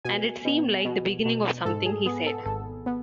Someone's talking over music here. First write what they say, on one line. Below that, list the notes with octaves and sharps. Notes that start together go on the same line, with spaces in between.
And it seemed liked the beginning of something, he said.
B2 G#5
B2
B2
B2
G#2 A4
G#4
B3 G#4
A4
G#1 A4
B3